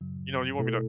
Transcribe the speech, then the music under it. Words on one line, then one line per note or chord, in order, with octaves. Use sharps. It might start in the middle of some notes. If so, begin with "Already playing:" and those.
you know, "you want me to
F#2 C#3 F#3
B2 A3 E4 A4